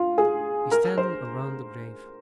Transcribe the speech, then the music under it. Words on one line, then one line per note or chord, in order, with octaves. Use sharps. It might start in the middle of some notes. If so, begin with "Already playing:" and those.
We stand around the grave.
Already playing: F4
G#4
A#4
C5